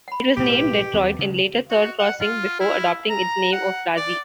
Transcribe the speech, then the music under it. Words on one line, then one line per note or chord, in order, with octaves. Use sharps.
It was named Detroit and later Third Crossing before adopting its name of Frazee.
F#5 B5
B1 A2 F#3 G4
B4 F5 D6
D#2 G3 C4
C#3 G#3
F#4
F#5
F4
E4
A#5
F#5
D5